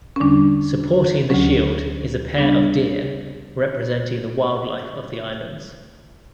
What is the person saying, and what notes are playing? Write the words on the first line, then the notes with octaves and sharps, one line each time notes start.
Supporting the shield is a pair of deer representing the wildlife of the islands.
C#4
E2 D3 G3 D4
D2 D3 F#3 C#4
C#3 G3 B3 D4